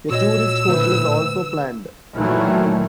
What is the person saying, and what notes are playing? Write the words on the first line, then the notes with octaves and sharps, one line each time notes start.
A tourist hotel is also planned.
A#2 F#4 C#5 D#5 E6
A2 D3 E4 B4 C5
A#2 D#3 E3 F#3 A3